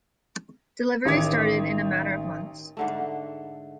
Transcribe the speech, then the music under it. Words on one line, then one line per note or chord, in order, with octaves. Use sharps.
Deliveries started in a matter of months.
A1 D#3 C#5 D6 G#6
G#2 D3 A3